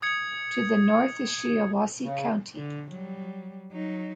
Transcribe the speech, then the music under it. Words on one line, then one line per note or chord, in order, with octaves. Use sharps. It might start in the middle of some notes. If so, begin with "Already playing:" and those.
To the north is Shiawassee County.
D#6 G#6 C#7
C#3
D3
F#3 G3
F#3 D#4